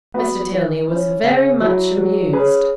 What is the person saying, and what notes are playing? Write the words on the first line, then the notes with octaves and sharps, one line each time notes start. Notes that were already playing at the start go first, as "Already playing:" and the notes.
Mr. Tilney was very much amused.
B3 F#4 B4
E3
C#4 E4
C#3
F#3 E4
F#3
C#4 G#4 B4